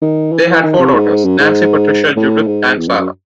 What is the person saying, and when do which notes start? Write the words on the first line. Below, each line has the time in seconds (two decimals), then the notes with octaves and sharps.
They had four daughters: Nancy, Patricia, Judith, and Sara.
0.02 D#3
0.32 E3
0.63 D#3
0.79 C3
0.94 G#2
1.25 F#2
1.39 G#2
2.16 A2
2.47 G#2
2.78 E2
2.88 F#2
2.98 F#2